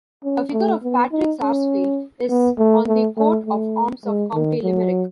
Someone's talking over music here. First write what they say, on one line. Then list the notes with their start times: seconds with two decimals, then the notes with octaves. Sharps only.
A figure of Patrick Sarsfield is on the coat of arms of County Limerick.
0.24 C#4
0.53 A3
0.83 B3
1.12 D#4
1.41 C#4
2.29 B3
2.58 A3
2.87 A3
3.17 A3
3.46 A3
4.05 G#3
4.33 D#3
4.63 F#3